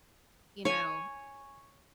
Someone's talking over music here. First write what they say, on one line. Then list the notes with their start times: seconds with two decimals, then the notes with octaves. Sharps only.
you know,
0.65 C#5 G#5